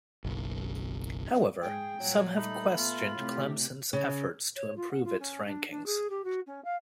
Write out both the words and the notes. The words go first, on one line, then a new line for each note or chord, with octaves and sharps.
However, some have questioned Clemson's efforts to improve its rankings.
F#1 B1
G#2 G#4 G5
A#2 F#3 G3
A3 D#4 B5
B3 F4
A2 C3 A3 G4
C#3
C#5
F4
F#5
F4
C#4
D4
D4
G#4
G4
F#4
C#4
F5